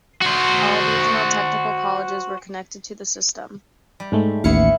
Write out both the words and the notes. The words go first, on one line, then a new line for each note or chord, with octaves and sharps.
All Regional Technical Colleges were connected to the system.
F#4 C5
G3
G#2 G#3 A3
A1 D#2 B3 E4 F5 C#7